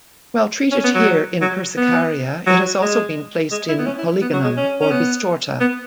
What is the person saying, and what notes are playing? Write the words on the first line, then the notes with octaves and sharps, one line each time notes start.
While treated here in "Persicaria", it has also been placed in "Polygonum" or "Bistorta".
C#4
B3
F#3
F#3
B3
F#3
G#3
G#3
E4
B3
C#4
E4
B3
F#3
G#3
C#4
C#4
B3
B3